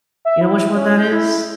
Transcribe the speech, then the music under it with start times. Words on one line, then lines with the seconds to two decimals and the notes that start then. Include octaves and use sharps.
You know which one that is?
0.25 E5
0.41 E4
0.75 C#4
0.97 G6
1.12 E4